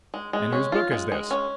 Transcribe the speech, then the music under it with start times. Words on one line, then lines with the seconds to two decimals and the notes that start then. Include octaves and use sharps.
"And whose book is this?"
0.14 G#3
0.33 G#3
0.52 C#4
0.72 F4
0.91 G#3
1.12 G#3
1.31 C#4